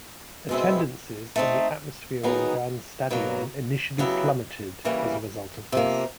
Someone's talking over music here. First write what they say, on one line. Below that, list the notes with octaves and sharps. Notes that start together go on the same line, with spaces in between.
Attendances and the atmosphere on Brann Stadion initially plummeted as a result of this.
B2 G#3 C4 E4
A3 C4 D#4
D#3 F#3 B3 D#4 G#4
B2 F#3 A#3
C#3 F#3 B3 E4 G4
C#3 E3 G3 A#3
C3 F3 A#3